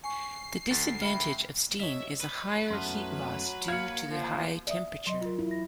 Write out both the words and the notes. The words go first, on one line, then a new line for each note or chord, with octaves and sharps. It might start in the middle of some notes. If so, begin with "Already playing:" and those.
The disadvantage of steam is a higher heat loss due to the high temperature.
G#5 C#6 C7
D2 A6 B6
E5 G5 B5 F6
C#5 D#5 E5
B4
F#2 F#3 A3 B3 C6 F6
A#3 F5 G#6 C#7
F3
D5 E5 D#6
F#3 D#5 C6
F4 A#4
E4
A#6